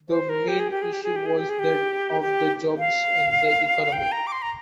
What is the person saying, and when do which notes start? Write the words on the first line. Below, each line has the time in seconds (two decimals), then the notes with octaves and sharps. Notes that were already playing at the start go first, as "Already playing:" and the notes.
The main issue was that of the jobs and the economy.
0.09 C5
0.29 A#4
0.48 G4
0.59 G#4
0.71 G4
0.82 G#4
0.93 G4
1.03 G#4
1.16 G4
1.26 G#4
1.38 G4
1.49 G#4
1.59 G4
2.21 G4
2.78 F5
3.93 G5
4.12 A#5
4.27 D6
4.32 C6
4.42 A#5